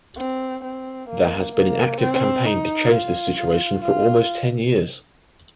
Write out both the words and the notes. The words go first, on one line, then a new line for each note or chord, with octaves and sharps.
There has been an active campaign to change this situation for almost ten years.
C4
C4
A#3
A#3
C4
D#4
F4
F4
F4